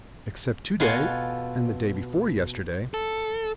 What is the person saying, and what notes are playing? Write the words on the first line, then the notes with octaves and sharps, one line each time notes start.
"Except to-day, and the day before yesterday."
B2 F4 A4 F#5 G#5 C6
A4